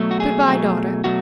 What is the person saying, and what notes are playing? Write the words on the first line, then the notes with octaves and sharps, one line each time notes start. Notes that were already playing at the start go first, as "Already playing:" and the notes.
Good-bye, daughter.
Already playing: B2 F#3 A3
F#4
G#4
B2 F#3 A3
B2 F#3 A3 F#4